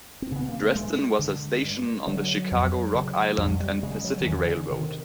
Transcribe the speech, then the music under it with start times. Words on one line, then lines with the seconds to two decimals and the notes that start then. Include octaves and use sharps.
Dresden was a station on the Chicago, Rock Island and Pacific Railroad.
0.22 C4
0.32 C#3 B3
0.48 A#3
0.63 A3
0.75 G2 G#3
1.19 D3
1.62 G2
2.07 D3 F#3
2.51 F2
2.95 C#3
3.38 F2 F#3
3.60 G3
3.83 C#3 G#3
4.04 F#3
4.21 D#3
4.27 E2 D3
4.48 D3
4.70 C3 D#3